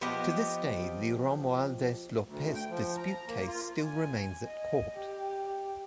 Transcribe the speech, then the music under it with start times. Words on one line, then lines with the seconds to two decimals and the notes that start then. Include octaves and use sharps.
To this day The Romualdez-Lopez Dispute case still remains at court.
0.01 F3 B3 G4 D#5
2.26 D2
2.55 G5
2.70 F3
2.97 A#5
3.27 A#3
3.47 F4
3.83 G#5
4.44 D#5
4.94 G4